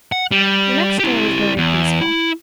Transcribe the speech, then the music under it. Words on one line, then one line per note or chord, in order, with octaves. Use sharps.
The next day was very peaceful.
F#5
G3
E4 G4
E2
E4